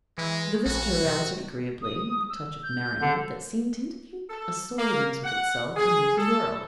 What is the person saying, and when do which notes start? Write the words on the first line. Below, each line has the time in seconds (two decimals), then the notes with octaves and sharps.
The visitor answered agreeably, with a touch of merriment that seemed to indicate a soul at ease with itself and with the world.
0.18 E3 G#3
0.66 A#1 F#4
1.05 C3
1.82 D#6
2.30 E6
2.63 G6
3.02 D3
4.30 A4
4.78 A#3
5.24 F#5
5.76 G#4
6.17 A4